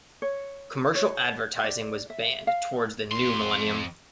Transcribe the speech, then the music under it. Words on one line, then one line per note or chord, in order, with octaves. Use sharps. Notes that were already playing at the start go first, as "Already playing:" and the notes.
Commercial advertising was banned towards the new millennium.
C#5
C#5
D5
E5
F5
F2 C6